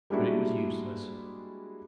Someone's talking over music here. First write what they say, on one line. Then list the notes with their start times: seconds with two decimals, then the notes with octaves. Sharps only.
But it was useless.
0.10 G3 G#3 A#3 D4 E4 F#4